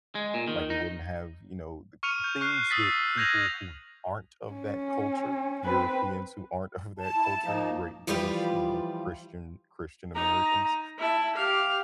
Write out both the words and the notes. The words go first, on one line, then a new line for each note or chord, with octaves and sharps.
like, we wouldn't have, you know, the c things that people who aren't of that culture, Europeans who aren't of that culture, great British, you know, Christian Christian Americans,
G#3
A#2
D#3
D#4
C#6 F6 C#7 D#7 F7
G6
C#6 F6 F#6 C7
D#6 E6 A6 B6
G6 G#6 A#6 D#7 F7 F#7
C#4
C4 B4
A5
E4
F3 A#3 D#4
E3 F3 G3 F4 G4 B4
D#4 A#5
E4 A5
G4 F5